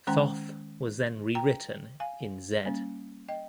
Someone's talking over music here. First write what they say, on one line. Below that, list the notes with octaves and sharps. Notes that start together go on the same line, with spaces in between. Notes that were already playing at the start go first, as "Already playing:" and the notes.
Thoth was then rewritten in Zed.
D#3 G#3 C#4 G5 A#5
G5 A#5
F5 G#5
G3 A#3 C#4
D#5 G5